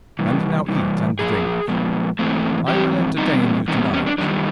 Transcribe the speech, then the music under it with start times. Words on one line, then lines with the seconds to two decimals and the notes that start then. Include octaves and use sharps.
And now eat and drink; I will entertain you to-night.
0.19 C3 E3 G3
0.69 C3 E3 G3
1.19 A#2 F3 G#4
1.68 A#2 F3 G#3 B3
2.19 G#2 E3 A3 C4
2.68 G#2 E3 C4 G4
3.18 E2 B2 D#3 G3 C4 D#4
3.68 E2 B2 D#3 G3 C4 D#4
3.94 C#4
4.06 D4
4.18 F#2 D#3 G3 D4